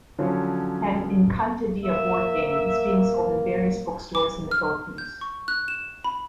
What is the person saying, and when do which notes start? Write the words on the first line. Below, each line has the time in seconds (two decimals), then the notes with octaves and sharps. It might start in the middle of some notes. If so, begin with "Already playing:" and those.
An Encantadia board game is being sold in various bookstores in the Philippines.
0.19 D3 F3 F#3 C#4
1.85 A#3 E5
4.15 D6
4.51 F6
4.98 G6
5.21 C#6
5.48 F#6
5.68 E7
6.04 B5